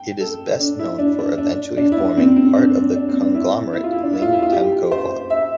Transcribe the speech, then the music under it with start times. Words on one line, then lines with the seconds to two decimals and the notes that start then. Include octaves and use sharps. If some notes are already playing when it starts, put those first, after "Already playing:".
It is best known for eventually forming part of the conglomerate Ling-Temco-Vought.
Already playing: G5
0.21 A4
0.59 D4
0.79 E4
0.99 D4
1.19 D4
1.38 D4
1.77 D4
1.92 E4
1.98 D4
2.17 C4
2.36 C4
2.56 D4
2.76 D4
2.96 D4
3.09 C4
3.21 D4
3.34 E4
3.73 E4
3.84 F4
3.93 E4
4.03 D4
4.13 E4
4.22 F4
4.33 E4
4.42 F4
4.52 G4
4.91 C5
5.30 E5